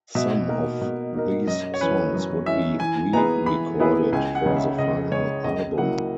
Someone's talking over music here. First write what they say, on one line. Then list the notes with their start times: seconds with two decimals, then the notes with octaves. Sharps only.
Some of these songs would be re-recorded for the final album.
0.15 B2 E5
0.48 A#3 D#4 A#4
0.81 B2
1.15 A#3 D#4 A#4
1.47 F#2 D#5
1.74 C#5
1.81 E3 G#3 C#4 B4
2.14 F#2
2.46 E3 G#3 C#4 E5
2.80 E3 G#5
3.13 B3 E4 G#4 B4 A#5
3.46 E3 B5
3.80 B3 E4 G#4 B4
4.12 C#2 G#5
4.35 F#5
4.46 C#3 G#3
4.56 E5
4.78 C#2 D#5
5.12 C#3 G#3 C#5
5.44 C#2 D#5
5.77 C#3 F#3 A#3 E4 F#5